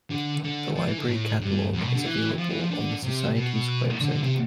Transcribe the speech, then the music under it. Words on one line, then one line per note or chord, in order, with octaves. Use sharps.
The library catalogue is available on the Society's web site.
D3
D3
F3
E3
D3
A2
G2
F2
B2
D3
E3
F3
E3
F3
D3
C3
B2
D3
D3
C3